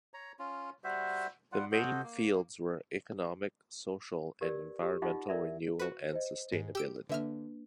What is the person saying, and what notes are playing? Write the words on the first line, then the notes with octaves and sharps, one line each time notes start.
The main fields were economic, social, and environmental renewal and sustainability.
C#5 A#5
C#4 F4
G3 F#4 C5 E5
G3 F4 F#5
F#4 A4 C5 D#5
A#3
G4 A#4 B4 D5
G4
D#4 F4 G4 D#5 F#5 D6
A#4 D5 E5
F#4 B4
C5 D#5
G#2
G4 E6 D7
D3 A#3 D4 B4 E5 F6